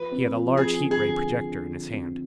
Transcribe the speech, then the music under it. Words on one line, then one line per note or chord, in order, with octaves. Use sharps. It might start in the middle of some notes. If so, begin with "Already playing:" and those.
He had a large heat-ray projector in his hand.
Already playing: F3 B4
C4
F3
F3 G#4
D3
G#4
D3
F3
D3
D3
C4